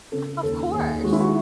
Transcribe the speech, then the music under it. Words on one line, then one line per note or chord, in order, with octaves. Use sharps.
Of course.
C#3 A4
D#2 A4
D#2 G#4
G#3 F#4
E4
F#4